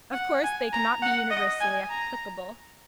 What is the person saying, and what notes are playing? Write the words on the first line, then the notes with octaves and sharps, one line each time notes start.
Of course, they cannot be universally applicable.
F#5
G#5
A#5
F#5
D#5
G#5
A#5